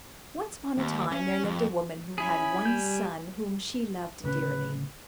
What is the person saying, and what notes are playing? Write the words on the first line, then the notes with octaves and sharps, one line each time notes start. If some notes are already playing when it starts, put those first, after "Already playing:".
Once upon a time there lived a woman who had one son whom she loved dearly.
D#2
C#4
F2
C#4 E4 G#4 G#5 B5
G3 G6
D1 C#3 C#4 B4